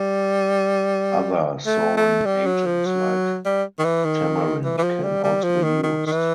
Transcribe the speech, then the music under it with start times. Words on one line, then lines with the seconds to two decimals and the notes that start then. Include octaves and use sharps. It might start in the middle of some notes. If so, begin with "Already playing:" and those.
Other souring agents like tamarind can also be used.
Already playing: G3
1.66 A3
1.97 A3
2.26 G3
2.46 F#3
2.66 F3
2.86 F#3
3.45 G3
3.79 D#3
3.84 E3
4.05 D#3
4.64 E3
4.78 E3
4.83 F3
5.03 G3
5.24 G3
5.43 F3
5.63 D#3
5.83 D#3
6.06 D#3
6.12 E3